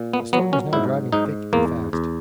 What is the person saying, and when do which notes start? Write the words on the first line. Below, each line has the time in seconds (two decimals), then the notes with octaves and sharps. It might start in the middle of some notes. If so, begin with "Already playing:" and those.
The storm was now driving thick and fast.
Already playing: A#2
0.14 B3
0.33 F#3 B3
0.53 C#4
0.73 G#2 E4
1.13 G#2 D#4
1.53 E2 A#3
1.93 E2